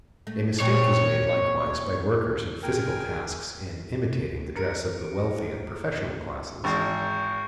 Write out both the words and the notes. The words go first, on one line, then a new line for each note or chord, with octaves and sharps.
A mistake is made likewise by workers in physical tasks in imitating the dress of the wealthy and professional classes.
A3
A#2 C4 C#5
G#4 A#4 G5 G#5
A#4 C#7
G#1 E2 C#6 G6 C7